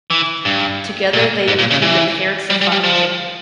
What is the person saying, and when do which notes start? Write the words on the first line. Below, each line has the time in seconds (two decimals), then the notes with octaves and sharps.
Together they became the parents of five children.
0.10 E3
0.45 G2
1.13 A#2
1.48 G#2
1.59 A#2
1.71 C#3
1.82 E3
2.50 G3
2.61 G3
2.72 G3
2.83 F3